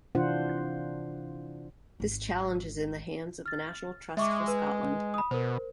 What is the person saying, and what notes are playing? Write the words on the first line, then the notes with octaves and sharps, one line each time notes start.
This challenge is in the hands of the National Trust for Scotland.
C3 E3 D4 F4 C5 F#5
G#1 G#3
F6 A6
G#3 E5 C#6 D6
B4
B5 D#6
B2 A#4 C5